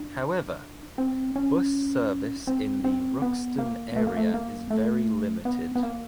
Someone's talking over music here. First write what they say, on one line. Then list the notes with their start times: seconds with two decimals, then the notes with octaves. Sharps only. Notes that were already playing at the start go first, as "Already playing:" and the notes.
However, bus service in the Ruxton area is very limited.
Already playing: D4
0.98 C4
1.36 C#4
2.47 C4
2.84 C4
3.22 B3
3.58 A#3
3.96 A3
4.07 A#3
4.17 A3
4.34 A#3
4.71 A3
5.45 B3
5.75 B3
5.83 A#3